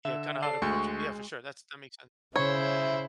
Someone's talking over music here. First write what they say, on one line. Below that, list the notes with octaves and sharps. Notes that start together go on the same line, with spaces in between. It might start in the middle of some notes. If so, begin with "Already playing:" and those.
Yeah, kinda how to approach it. Yeah, for sure, that's that makes sense.
D3 E5
A4 D5 A5 C7
D2 G#3 C#6
C#3 E4 C5 C#5 E5